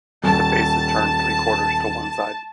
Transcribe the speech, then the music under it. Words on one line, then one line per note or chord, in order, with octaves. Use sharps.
The face is turned three-quarters to one side.
D#1 A5